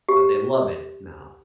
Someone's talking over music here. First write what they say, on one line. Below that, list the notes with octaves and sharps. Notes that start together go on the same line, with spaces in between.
But they love it now,
G4